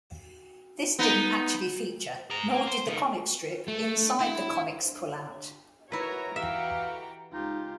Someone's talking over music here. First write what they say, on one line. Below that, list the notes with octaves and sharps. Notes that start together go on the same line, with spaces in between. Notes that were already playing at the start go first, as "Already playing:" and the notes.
This didn't actually feature, nor did the comic strip, inside the Comix pullout.
B3 D#4
G#4 A#5
A#3
C5
C#3 D#4
A3
E4
E4 F#4 A#4 B4 C#5 A#5
E3 F#4 G4 E5 F5
C#2 D#4 F4 G4